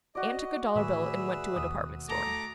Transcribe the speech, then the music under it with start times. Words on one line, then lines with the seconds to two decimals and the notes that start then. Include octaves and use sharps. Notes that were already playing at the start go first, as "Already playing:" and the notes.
Ann took a dollar bill and went to a department store.
0.15 F#4 D5 D#5
0.75 A2 D#3 A3 G#4 B4 E5
1.56 E1 D#2 D#6
2.09 A3 A4 A#5 D6